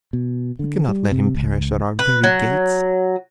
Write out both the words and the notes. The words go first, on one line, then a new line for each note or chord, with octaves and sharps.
We cannot let him perish at our very gates.
B2
D3
G3
C3
C#2
B4
F#3